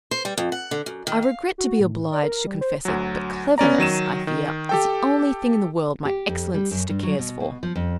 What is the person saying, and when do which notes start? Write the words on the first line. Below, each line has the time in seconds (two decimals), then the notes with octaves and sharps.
I regret to be obliged to confess it, but cleverness, I fear, is the only thing in the world my excellent sister cares for.
0.11 C5
0.25 G3
0.38 F2
0.52 F#5
0.71 D3
0.86 F#2
1.07 D#3
1.23 F5
1.58 F#4
1.80 A2
2.12 D5
2.23 A#4
2.47 G3
2.61 C5
2.85 D2 F#3
3.58 B3 C#4 D5 A#5
3.78 D#3 F#3 D#7 E7
4.27 D#3
4.69 G4 A4 G5
6.05 G4
6.29 F2
6.54 G3
6.71 F#2
6.89 G2
7.03 F#3
7.19 B2
7.40 B2
7.63 F3
7.76 F2